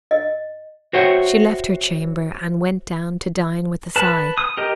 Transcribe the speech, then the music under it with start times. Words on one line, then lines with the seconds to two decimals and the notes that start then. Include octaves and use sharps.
She left her chamber and went down to dine with a sigh.
0.11 D#5
0.93 F#4 C5 C#5 E5 F#5 G5
3.96 B4 A5
4.38 D#6
4.57 G4 A#4 D#5